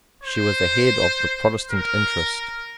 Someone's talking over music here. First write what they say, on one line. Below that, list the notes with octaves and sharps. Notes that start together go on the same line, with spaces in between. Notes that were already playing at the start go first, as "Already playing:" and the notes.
She was the head of the Protestant interest.
C5
A#4